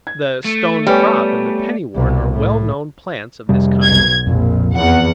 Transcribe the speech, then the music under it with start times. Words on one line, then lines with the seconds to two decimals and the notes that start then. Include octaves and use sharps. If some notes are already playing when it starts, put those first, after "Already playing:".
The Stone-crop and the Penny-wort are well-known plants of this kind.
0.07 G#6
0.45 A3
0.87 G3 B3 C#5 G#5
1.96 C2 B2
2.31 A2
3.49 F2 C3 G3
3.84 B1 G#6
4.27 A#1 F2
4.74 E2 F#5